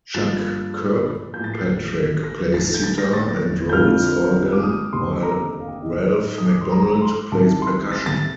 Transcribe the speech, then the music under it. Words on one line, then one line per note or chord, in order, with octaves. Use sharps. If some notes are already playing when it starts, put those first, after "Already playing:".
Chuck Kirkpatrick plays sitar and rhodes organ while Ralph McDonald plays percussion.
G2 F3 A#3 A6
A2 F3 A#3 G6
A6
C7
A#6
A2 A3 D#4 A6
G6
A6
A#6
A6
G6
F2 D3 F3 C4 F4 F6
D6
D#6
F1 D#2 D3 C6
A#5
F5
G5
D#5
A2 A3 D#4
D#6
D6
C6
A#5
A#5
C6
C2 C3 D#3 A5
C6
A6
A6